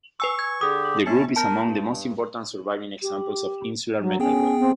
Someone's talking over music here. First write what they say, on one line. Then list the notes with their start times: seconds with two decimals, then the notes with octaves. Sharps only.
The group is among the most important surviving examples of Insular metalwork.
0.20 B4 G#5 C#6 E6
0.39 G#6
0.61 D3 G4 G#4 D#6
1.06 B3 C#4 A5 C#7
1.36 A#4 A5 G6
1.63 G2
3.02 G4
4.00 F#3
4.20 B3 C#4 G#4 G5
4.60 C4